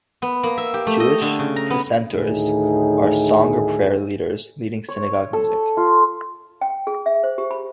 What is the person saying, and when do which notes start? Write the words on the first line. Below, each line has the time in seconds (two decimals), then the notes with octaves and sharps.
Jewish precentors are song or prayer leaders, leading Synagogue music.
0.22 B3
0.43 A#3
0.58 E5
0.74 G4
0.87 A3
1.00 D#5
1.22 D3
1.39 C#3
1.56 A#5
1.70 B3
2.11 D2 A2 D#3 D#4 G#4
4.89 C#5
5.33 A4
5.77 F4
6.61 G5
6.87 G#4
7.06 E5
7.23 C5
7.38 G4
7.51 B5